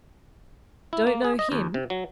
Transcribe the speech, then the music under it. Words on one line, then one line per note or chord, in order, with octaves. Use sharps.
Don't know him.
E4
A#3
G#4
D#5
D#2
C3
F#3